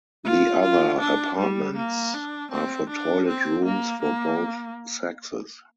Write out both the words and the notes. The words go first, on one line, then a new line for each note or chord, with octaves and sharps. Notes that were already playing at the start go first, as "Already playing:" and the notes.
The other apartments are for toilet rooms for both sexes.
F4
F4
D4
G3
A#3
D4
C4
D4
C4
A#3
A#3